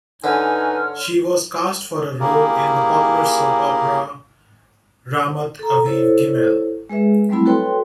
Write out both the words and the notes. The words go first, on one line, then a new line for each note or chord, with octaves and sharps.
She was cast for a role in the popular soap opera "Ramat Aviv Gimmel".
D3 D#4 B4 C#5 G#5 C6 F6
A#3 C#4 E4 G4 G#4 A#4
A4 A#5
E4 A4 C5 C#5
G#3 G#4 B4 E5
F#3 G3 A3 C4 E4 B5
F#4 A4 B4 C#5 G5 C6